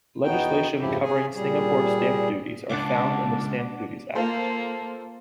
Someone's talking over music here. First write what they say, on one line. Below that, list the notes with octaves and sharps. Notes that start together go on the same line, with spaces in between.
Legislation covering Singapore Stamp Duties are found in the Stamp Duties Act.
E2 B3 D#4 F#4 G5
F2 G#2 C#3 F3 E4 G4
G#4 G#5
A#2 G3 G#4
C#2 D4 F#5 A5 D6
A#3 F4 A4 C5